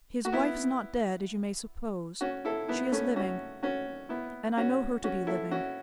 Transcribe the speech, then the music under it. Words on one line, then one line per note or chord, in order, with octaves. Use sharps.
His wife is not dead, as you may suppose; she is living, and I know her to be living.
F#4
B3 E4
C#4 F#4
E4 A4
B3 E4
A3 C#4
C#4 F#4
C#4 F#4
B3 E4
C#4 F#4
C#4 F#4
E4 A4
C#4 F#4